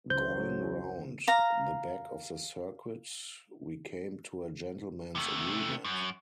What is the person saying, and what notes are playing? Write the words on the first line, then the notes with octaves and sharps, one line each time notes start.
Going round the back of the circuit we came to a gentleman's agreement.
C#2 C#3 E3 F#3 C5 G6
F5 A#5
C3 A3
F#2